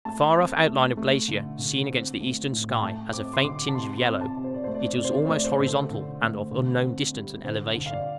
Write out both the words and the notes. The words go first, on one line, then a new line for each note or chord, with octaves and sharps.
The far-off outline of glacier, seen against the eastern sky, has a faint tinge of yellow; it is almost horizontal, and of unknown distance and elevation.
A3 A5
C4
A3
A3
D3
D3
C4
A3
A2
G5
A3 A5
C4 D6
C6
D3 D6
A5
C3 C6
C6
C4
A5
C3
C5
D5
A3 C5
D5
C5
C3 D5
C5
D5
A3 C5
D5
C5
D3 C5
A4
A4
D3
A3
D3
C4
G3
D3 C5
D3
F5
D5